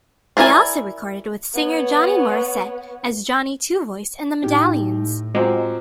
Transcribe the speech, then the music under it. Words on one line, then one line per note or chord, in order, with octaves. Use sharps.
They also recorded with singer Johnny Morrisette, as Johnny Twovoice and The Medallions.
D4 E4 A#4 D5 G#5
B3 C#5
A2 D#4 G4
F3 F#3 G#3 C4 A#5 D6